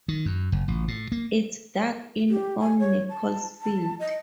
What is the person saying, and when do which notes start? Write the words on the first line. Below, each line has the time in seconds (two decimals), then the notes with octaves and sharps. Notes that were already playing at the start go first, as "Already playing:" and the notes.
It's dug in on Nichols Field.
0.08 D#3
0.26 F#2
0.52 F#1
0.68 A1
0.88 A2
1.12 A#3
2.30 G4
2.60 G#5
2.79 C#5
3.10 A5
3.61 A5
4.00 D#5